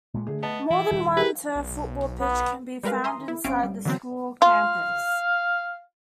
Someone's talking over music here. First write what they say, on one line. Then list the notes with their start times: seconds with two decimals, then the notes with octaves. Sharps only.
More than one turfed football pitch can be found inside the school campus.
0.14 A#2 G#3 A3
0.27 D3 A3 G#4
0.43 B3 D#5 A5
0.70 E3 E4
0.91 D#1 D#3 G3
1.17 G4 G#4 A#4 B4
1.56 B1
2.20 B3
2.83 G3 G#3 A#4 B4 F5
3.04 E5 A#5 C6 D#6
3.28 E4
3.44 G1 C4 C#4 E5 F5 D7
3.63 G3
3.85 D3 E3 F#3 B3 C4
4.42 F4 F5